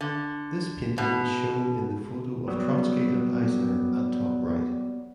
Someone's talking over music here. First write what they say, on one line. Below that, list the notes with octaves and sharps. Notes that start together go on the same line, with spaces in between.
This painting is shown in the photo of Trotsky and Eisner at top right.
D3
B2
F#3 G3 B3